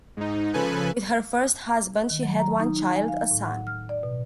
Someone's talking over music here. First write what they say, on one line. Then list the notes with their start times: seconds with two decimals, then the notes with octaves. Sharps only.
With her first husband she had one child, a son.
0.17 G#2 D#4
0.53 C#3 F3 A4 B4 G#5 F#6
2.10 D#3
2.23 F#3
2.39 A#5
2.60 D#4
2.77 D#4
2.95 G#5
3.08 F5
3.31 A2
3.46 F#5
3.67 F6
3.89 D5
4.03 B2